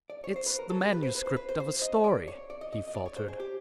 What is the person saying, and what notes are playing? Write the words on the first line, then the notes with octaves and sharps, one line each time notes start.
"It's the manuscript of a story," he faltered.
D5
C#5
C5
B4
A#4
A4
G4
B4
C5
B4
C5
B4
C5
C5
D#5
D5
C#5
D5
D#5
D#5
D#5
D5
C#5
C5
G#4
G4